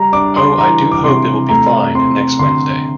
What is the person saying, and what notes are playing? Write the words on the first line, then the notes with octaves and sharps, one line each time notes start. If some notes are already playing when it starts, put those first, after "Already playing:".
Oh, I do hope it will be fine next Wednesday.
Already playing: G3 A#5
D4 D6
C6
E3 A#5
D6
C3 C6
A3 A#5
C4 C6
D3 C6